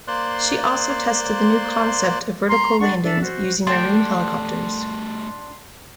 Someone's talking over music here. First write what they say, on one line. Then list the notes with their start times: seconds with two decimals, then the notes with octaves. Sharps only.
She also tested the new concept of vertical landings, using Marine helicopters.
0.08 A#3 C5 D5 C6 F#6
2.49 A#5 C6
2.80 D4 F#5 C#6
3.03 D4 A4 E5
3.22 F#4 C5
3.67 G3 A3 D4 G5 C6